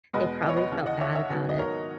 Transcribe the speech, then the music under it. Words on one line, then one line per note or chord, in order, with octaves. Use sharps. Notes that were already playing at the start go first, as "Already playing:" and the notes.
they probably felt bad about it.
E2 B2 G#3 B4 D#5
D#5
C#5
B4 D#5
D#2 C#3 E3
D#5 F#5
C#5 E5
C#5 E5
G#2 D#3 F#3 B3
D#5
A#4 C#5